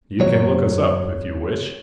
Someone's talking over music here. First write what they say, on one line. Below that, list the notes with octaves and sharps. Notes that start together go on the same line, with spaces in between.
You can look us up, if you wish.
F#2 D#3 F#3 C#5